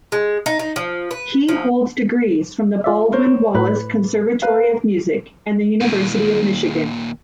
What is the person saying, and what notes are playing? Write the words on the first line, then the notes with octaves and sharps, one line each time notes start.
He holds degrees from the Baldwin-Wallace Conservatory of Music and the University of Michigan.
G#3
D#4
D#4
F3
B4
F3
F4 D5 E5
A#4 C5 C#5
A2 B4
A#4 B4 F5
D#2 A#2